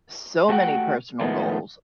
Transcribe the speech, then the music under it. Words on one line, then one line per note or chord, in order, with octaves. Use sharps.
so many personal goals,
A3 F#4 G4 C#5 F#5 G5
A2 D#3 F3 G#3 A3 B3